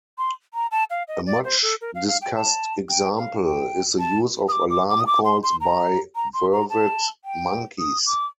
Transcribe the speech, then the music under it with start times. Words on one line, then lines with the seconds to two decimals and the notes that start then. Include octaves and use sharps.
A much discussed example is the use of alarm calls by vervet monkeys.
0.18 C6
0.54 A#5
0.71 A5
0.90 F5
1.08 D#5
1.26 D5
1.44 C5
1.62 A4
1.81 A#4
1.95 F5
2.08 F5
2.21 G5
2.35 A5
2.89 G5
3.17 F5
3.44 G5
3.99 A5
4.48 D#6
4.52 D6
4.70 D6
4.89 D6
5.00 D#6
5.06 D6
5.25 C6
5.43 C6
5.61 A#5
6.15 A#5
6.34 C6
6.52 A#5
6.70 A5
7.24 G5
7.79 D#6
8.06 D6